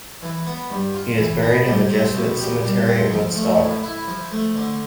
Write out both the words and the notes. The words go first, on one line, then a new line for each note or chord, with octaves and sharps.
He is buried in the Jesuit cemetery at Woodstock.
E3
B3
G2
F4
E3
B3
G3
C4
B2
G4
G3
C4
F3
A3
A2
E4
F3
A3
D3